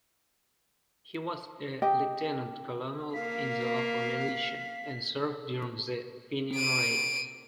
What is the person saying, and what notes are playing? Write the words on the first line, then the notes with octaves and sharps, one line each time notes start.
He was a lieutenant-colonel in the local militia and served during the Fenian raids.
G4 D#5 G5
A#3 F5 B6
D7 D#7